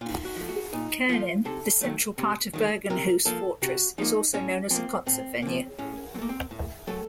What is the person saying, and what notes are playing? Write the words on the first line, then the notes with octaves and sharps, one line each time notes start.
Koengen, the central part of Bergenhus Fortress is also known as a concert venue.
A#2 F4
F#4
F3 A3
F#4
A#2 D#4
F3 A3 F4
C3 A4
D#3 F#3 A3
C3
D#3 F#3 A3
C3 A#4
F3 A#3 A4
C3 F#4
F3 A#3 D#4
A2 C#4
F3 A#3 C4
A2 C4
F3 A#3 C4
A2 C#4
F#3 C4
A3 A#3
C4
A2
F#3 A3 A4